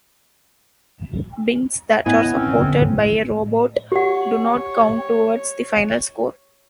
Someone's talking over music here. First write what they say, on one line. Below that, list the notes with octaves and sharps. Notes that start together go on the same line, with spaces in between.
Bins that are supported by a robot do not count towards the final score.
A2 B3 E4 D#5 G#5
C4 C#4
D3
A2
G4 C#5 F#5